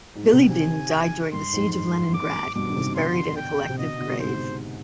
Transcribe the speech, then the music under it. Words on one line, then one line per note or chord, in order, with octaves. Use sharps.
Bilibin died during the Siege of Leningrad and was buried in a collective grave.
G#2
B2
C3
D3
C3 D#3 G#5
G2 C6
F2 G#2
C6
D6
G2 B2 D6
C3 D#3
D#3
B2 D3 C6
G5
C3
B2 D3 D#5
B2 D3
G#2 C3 C5